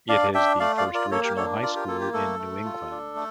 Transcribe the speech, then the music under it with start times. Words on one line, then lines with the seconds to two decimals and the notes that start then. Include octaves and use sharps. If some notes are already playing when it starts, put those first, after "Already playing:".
It is the first regional high school in New England.
0.09 D4 D5 F5
0.34 D4 E5 G5
0.60 A3 D5 F5
0.77 D5 F5
0.86 F4
0.94 A#4 D5
1.11 A#3 A4 C#5
1.24 G4 A#4
1.37 D4 A4 C#5
1.62 F4 A#4 D5
1.75 G4 A#4
1.88 A#3 A4
2.00 G4
2.13 A3 A4
2.39 A3
2.65 F4
2.91 D4
3.16 A3